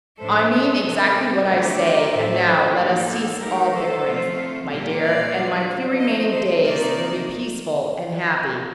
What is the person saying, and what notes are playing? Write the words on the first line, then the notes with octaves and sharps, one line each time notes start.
"I mean exactly what I say, and now let us cease all bickerings, my dear, and my few remaining days will be peaceful and happy."
A2 F3 A3 D4 A4 C5
A4
C3 D#3 A#3
D3 A3 D4 F4 A4
G4 A#4
A2 A3 D4 A4 C5
A4 C5
F3 A#3 D#4 G4
A4
D#3 A3 D#4 G4 A#4
A4 C5
F3 A3 C4 F4
A4
A#2 G3 A#3 G4
D5 F5
D3 G3 D4 F4
F3 C4 D#4 C5 D#5
A4 C5
C3 D#3 A#3 D#4 A#4 D5